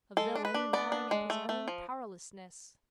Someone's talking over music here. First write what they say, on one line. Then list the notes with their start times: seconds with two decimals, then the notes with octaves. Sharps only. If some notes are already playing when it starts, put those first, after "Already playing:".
A villain gnawing at his own powerlessness!
0.17 G#3 A4
0.35 D4
0.45 B4
0.54 D4
0.73 B3 D5
0.92 D4
1.11 G#3
1.30 A3
1.49 A3
1.68 F3